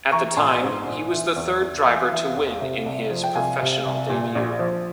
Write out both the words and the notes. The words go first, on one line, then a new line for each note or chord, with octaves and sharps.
At the time, he was the third driver to win in his Professional debut.
E3 A#5 C#6
A#1 G#5 C6
G#2
A#1
E3
E2
E2
E3 F5 G#5
E3
E2
C3
C2
F3
G5
C2 F5 G#5
C3
C2
A#2
A#1
F3